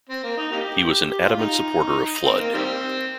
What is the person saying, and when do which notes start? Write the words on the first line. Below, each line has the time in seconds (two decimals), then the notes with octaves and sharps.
He was an adamant supporter of Flood.
0.09 C4
0.23 A#3
0.37 D#4
0.52 A#3 D#4 G4
1.09 G4
1.24 F4
1.38 D#4
2.24 C4
2.40 A#3
2.54 D#3 G3 C4